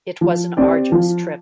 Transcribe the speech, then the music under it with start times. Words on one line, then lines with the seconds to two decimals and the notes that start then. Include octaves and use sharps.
It was an arduous trip.
0.21 F3
0.57 C4 G4 D5
0.92 F3